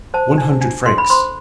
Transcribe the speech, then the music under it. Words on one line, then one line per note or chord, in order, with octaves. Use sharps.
"One hundred francs!"
C5 A5
D4
D4
A4 C6
B5
C5 C6